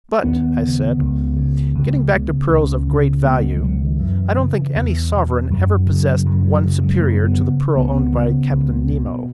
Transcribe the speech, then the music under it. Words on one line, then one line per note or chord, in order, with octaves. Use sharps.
"But," I said, "getting back to pearls of great value, I don't think any sovereign ever possessed one superior to the pearl owned by Captain Nemo."
D#2 B3
C#3
C#2
C#3
C#2
C#3
C#2 C#4
C#3
C#2 B3
G#3
E3
B2 F#3
D#3
F#2 E3
C#3
E2
B2
F#2 F#3
C#3
F#2 F#3
F#3
C#3 F#3
G#3
F#2 A#3
B3
C#3
C#2 B3
C#4
B3
C#3
C#2
B2